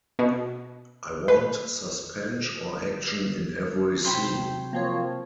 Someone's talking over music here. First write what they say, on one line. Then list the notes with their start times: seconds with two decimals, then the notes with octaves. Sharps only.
'I want suspense or action in every scene.
0.19 B2
1.28 B4
4.05 C3 F#3 C5 G5 B5
4.73 F3 A#3 C4 C#5